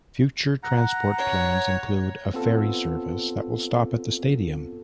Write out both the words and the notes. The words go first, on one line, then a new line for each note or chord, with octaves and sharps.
Future transport plans include a ferry service that will stop at the stadium.
F#5 A#5
C#5
B3 C4 F4 A4